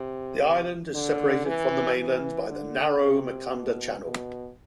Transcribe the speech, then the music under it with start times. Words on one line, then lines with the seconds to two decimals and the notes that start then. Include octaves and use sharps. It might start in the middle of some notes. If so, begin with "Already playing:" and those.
The island is separated from the mainland by the narrow "Mkanda" channel.
Already playing: C3
0.94 D3
1.45 E3
1.97 E3
2.48 D3
3.01 C3
3.51 B2
4.04 B2